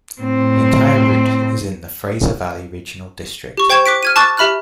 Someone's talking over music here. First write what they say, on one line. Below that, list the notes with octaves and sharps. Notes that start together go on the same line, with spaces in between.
The entire route is in the Fraser Valley Regional District.
A2 C4
G4 C#6
C5 G5 C#6 G#6 E7
D6 F#6 B6 D7
F6 G#6 D#7
A5 C#6 D6 F#6 A6
G4 E5 B5 F6 F#6